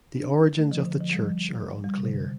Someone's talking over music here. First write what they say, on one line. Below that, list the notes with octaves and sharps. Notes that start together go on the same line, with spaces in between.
The origins of the church are unclear.
D4
A3
F3
D3
F3
G3
F3
G3
C3
D3